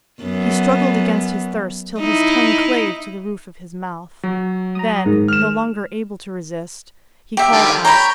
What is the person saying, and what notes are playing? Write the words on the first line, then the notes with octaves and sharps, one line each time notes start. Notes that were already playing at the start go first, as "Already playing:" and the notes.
He struggled against his thirst till his tongue clave to the roof of his mouth; then, no longer able to resist, he called out.
F#2 B3
D#4 E4
F#3
A#5 D#6
G#2 D#3
F6 E7
G4 E5
D3 D#3 G3
C#5 G5 A#5 B5